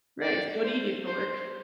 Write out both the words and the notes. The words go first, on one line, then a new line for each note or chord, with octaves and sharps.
Right, so what do you do for work?
D5
C5
C5